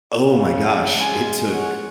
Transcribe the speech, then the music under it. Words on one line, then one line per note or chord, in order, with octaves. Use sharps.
Oh my gosh. It took
C#3
D4
G#3 F4 C5 G#5
C#5 F#5